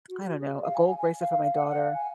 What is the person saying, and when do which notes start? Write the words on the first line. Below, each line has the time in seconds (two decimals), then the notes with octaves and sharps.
I don't know, a gold bracelet for my daughter,
0.09 F#4
0.20 G#4
0.24 F#4
0.39 G#4
0.56 D5
0.62 F5
0.74 G#5
0.86 G#5
0.97 G#5
1.20 F5
1.31 F5
1.43 F5
1.54 F#5
1.66 F#5
1.77 F5
1.93 G#5